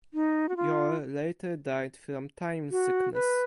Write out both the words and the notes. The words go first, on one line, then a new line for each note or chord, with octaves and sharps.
Yor later died from time sickness.
D#4
F#4
F4
F#4
B4